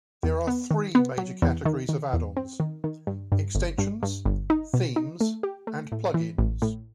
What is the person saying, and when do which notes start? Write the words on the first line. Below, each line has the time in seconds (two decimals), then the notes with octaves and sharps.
There are three major categories of add-ons: "Extensions", "Themes", and "Plugins".
0.23 E2
0.47 B3
0.71 D#3
0.95 B3
1.18 F#3
1.42 E2
1.65 D#3
1.89 D#3
2.13 E2
2.37 C4
2.60 D#3
2.84 D#3
3.07 G2
3.32 G2
3.55 G1
3.78 G2
4.03 G2
4.25 G1
4.50 D#4
4.74 B2
4.96 D#4
5.21 A3
5.43 G4
5.67 A3
5.92 A2
6.14 E3
6.38 A1
6.62 A2